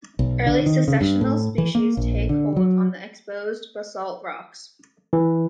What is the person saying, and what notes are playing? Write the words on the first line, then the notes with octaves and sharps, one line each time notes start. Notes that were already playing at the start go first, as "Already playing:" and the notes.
Early successional species take hold on the exposed basalt rocks.
B1
D3
D#3
C#3
G2
A2
E3
A#3
A#1
D3
F#3
E3